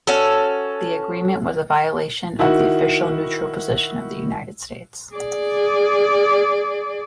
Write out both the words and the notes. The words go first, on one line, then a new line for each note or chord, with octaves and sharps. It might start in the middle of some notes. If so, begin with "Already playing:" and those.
The agreement was a violation of the official neutral position of the United States.
C#4 F#4 A4
D#3 E4 F#4
G#4 D5